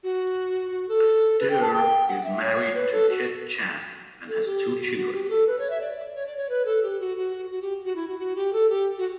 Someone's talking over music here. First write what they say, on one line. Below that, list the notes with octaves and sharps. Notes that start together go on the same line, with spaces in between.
Duerr is married to Kit Chan, and has two children.
F#4
F#4
A4
B4
G5
A5
G5
F#5
E5
C#5
B4
A4
F#4
A4
G4
F#4
F#4
G4
G4
A4
B4
C#5
E5
D5
C#5
D5
C#5
B4
A4
G4
F#4
F#4
F#4
G4
F#4
E4
F#4
F#4
G4
A4
G4
F#4